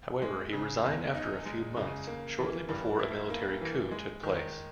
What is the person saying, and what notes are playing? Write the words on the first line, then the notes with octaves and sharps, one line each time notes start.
However, he resigned after a few months, shortly before a military coup took place.
G#3
C#3
E2
D#4
G#3
C#3
A#3
E3
G2
E4
A#3
E3
G#3
D#3